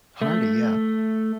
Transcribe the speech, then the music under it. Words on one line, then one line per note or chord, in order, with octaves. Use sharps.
Hardy, yeah.
A3